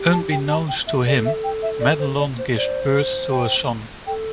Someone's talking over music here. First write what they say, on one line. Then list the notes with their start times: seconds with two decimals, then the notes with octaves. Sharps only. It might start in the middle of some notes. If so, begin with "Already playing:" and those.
Unbeknownst to him, Madelon gives birth to a son.
Already playing: G4
0.11 A5
0.31 G5
0.49 A5
0.68 G5
0.87 E5
1.06 A4 D5
1.25 E5
1.44 G5
1.62 E5
1.81 D5
1.99 C5
2.18 D5
2.38 C5
2.56 C5 D5
3.31 G5
4.07 A4 G5